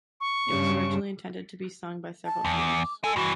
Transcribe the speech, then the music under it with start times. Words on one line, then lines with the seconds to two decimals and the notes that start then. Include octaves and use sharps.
It was originally intended to be sung by several singers.
0.20 C#6
0.49 G2 C#3
2.25 A5
2.45 E2
2.60 D6
3.04 A4 D#5 G#5
3.16 G2 E3 F#4